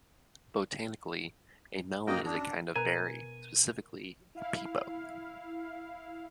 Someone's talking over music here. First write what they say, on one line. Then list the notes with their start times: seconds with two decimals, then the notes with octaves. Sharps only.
Botanically, a melon is a kind of berry, specifically a "pepo".
2.07 F#2 A#3 F#4 D#5 G5 D#6
2.25 D4
2.76 B2 A#4 B4 G#5 A#5
4.35 E4 F5